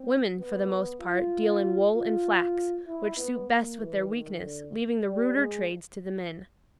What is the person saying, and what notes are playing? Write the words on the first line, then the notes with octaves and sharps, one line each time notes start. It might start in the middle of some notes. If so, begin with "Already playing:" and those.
Women, for the most part, deal in wool and flax, which suit best with their weakness, leaving the ruder trades to the men.
Already playing: C4
B3
F4
F4
E4
B3
A#3
E3
D#3
D3
G3
G#3